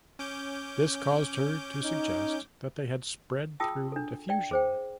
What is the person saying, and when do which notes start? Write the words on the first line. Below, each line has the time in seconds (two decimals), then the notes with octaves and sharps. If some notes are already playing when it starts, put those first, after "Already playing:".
This caused her to suggest that they had spread through diffusion.
0.19 C#4 D6 G6
1.84 D#4
3.60 F4 G#4 G5 A5 D#6 E6
3.92 D4 A4
4.29 D5 G5
4.51 G#4 C5 G5